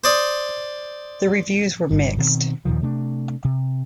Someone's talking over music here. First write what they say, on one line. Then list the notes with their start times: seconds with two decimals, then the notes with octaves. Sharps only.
The reviews were mixed.
0.04 C5 D5 D#6
1.91 G1 G2
2.17 B2 D#3 C4
2.65 D#2 A#2 D#3 F3
2.82 C3 A3 D4
3.45 C3